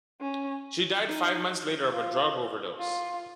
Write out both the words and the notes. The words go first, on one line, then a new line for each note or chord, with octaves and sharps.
She died five months later of a drug overdose.
C#4
D#4
F4
F4